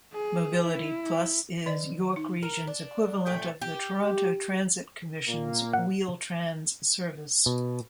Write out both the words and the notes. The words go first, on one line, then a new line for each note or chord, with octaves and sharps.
Mobility Plus is York Region's equivalent of the Toronto Transit Commission's Wheel-Trans service.
G#4
E4
D#3 D5 D#5
D#4
A#4
D4
A#2 A3 G5
G4
A#2 A#3
F#5
B2